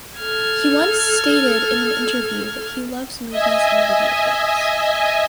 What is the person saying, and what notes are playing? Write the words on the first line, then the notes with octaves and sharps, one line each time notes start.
He once stated in an interview that he loves movies and video games.
A4 F6 G#6
D#5 E5 G#5